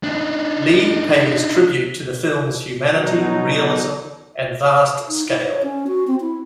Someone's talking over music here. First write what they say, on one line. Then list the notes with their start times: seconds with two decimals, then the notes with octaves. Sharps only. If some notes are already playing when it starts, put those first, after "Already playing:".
Leigh pays tribute to the film's humanity, realism, and vast scale.
0.03 D4 D#4
2.84 B2 F#3 D#4
5.09 D#4
5.28 E4
5.41 C#5
5.63 C#4
5.87 F#4
6.07 C4
6.21 E4